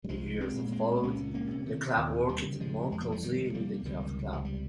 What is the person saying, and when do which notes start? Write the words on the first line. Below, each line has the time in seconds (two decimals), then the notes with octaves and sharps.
In the years that followed, the club worked more closely with the Youth club.
0.04 G3
0.09 C2 F3 G#3
0.40 G#3 C4
0.57 A#2
0.71 G#3 C4
1.03 C#2 A#3 C#4
1.34 A#3 C#4
1.51 C3
1.66 D#3
1.97 D#2 D#3
2.29 D#3 G3
2.45 C#3
2.60 F3 G#3
2.92 F2 G#3
3.01 A#3
3.12 F3 G#3
3.22 D#3 G3
3.38 C3
3.45 G#3
3.54 G3 A#3
3.85 C#2 D#3 G3
4.32 C3 F3
4.45 G3